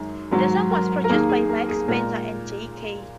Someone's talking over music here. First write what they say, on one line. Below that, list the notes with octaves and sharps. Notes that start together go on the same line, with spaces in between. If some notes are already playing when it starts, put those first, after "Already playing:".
The song was produced by Mike Spencer and Jay Kay.
Already playing: F#2 D#3 G#3
G#2 D#3 F#3
A#4
A#4
D#2 D#3 A#3 G#4
G#4
A#4
G#4
A#2 G#3 A#4